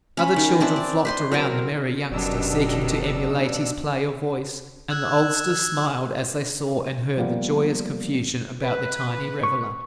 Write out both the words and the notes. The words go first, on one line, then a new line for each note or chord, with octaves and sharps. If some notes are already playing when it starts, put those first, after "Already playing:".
Other children flocked around the merry youngster, seeking to emulate his play of voice and the oldsters smiled as they saw and heard the joyous confusion about the tiny reveler.
C#4 B5
D#3
C4 D4 E4
D5
B4 C5 C6
F#3 C4 A#4
F1 F#2 B2 D#3 F#3 G3 D4 E6
E6 F#6 G#6
F3 G3 A#3 B3
B4
C#6